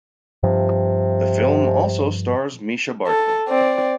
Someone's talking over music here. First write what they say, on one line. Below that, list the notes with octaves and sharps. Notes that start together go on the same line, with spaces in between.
The film also stars Mischa Barton.
G2 C3 F3
A4
C4 D5